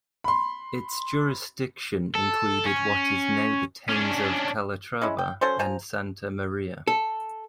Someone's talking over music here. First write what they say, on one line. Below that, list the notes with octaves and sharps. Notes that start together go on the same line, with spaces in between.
Its jurisdiction included what is now the towns of Calatrava and Santa Maria.
B5 C6
A4
C#4
C#4 D4
G#3 C#4 E4
G5
F#3 C#4 A4 C5
F3 C5 G#5 A#5
A4